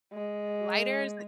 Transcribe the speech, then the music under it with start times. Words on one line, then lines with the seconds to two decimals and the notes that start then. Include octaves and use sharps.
lighters and
0.13 G#3